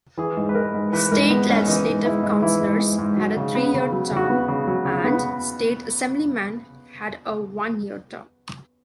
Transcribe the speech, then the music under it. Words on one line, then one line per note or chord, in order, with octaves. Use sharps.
State Legislative Councilors had a three-year term and State Assemblymen had a one-year term.
E3 G#4
G#2
B4
G#3 A#4
G#2
E3 B4
G#2 A#4
G#3 B3
G#2 C#4
E3 D#4
G#2
G#3 E4
G#2
E3 E4
G#2
G#3
G#2
F#3
C#3
B3
C#3
F#3
C#3
F#4
B3
C#3
F#3
C#3
B3